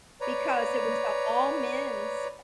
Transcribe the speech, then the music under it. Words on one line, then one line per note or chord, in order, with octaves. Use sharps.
because it was a all men's,
B4 C#5 D5 A#5